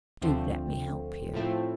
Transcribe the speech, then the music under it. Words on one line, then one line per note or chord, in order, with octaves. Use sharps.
"Do let me help you."
D2 D3 F3 A3 C4
A2 F3 A3 C4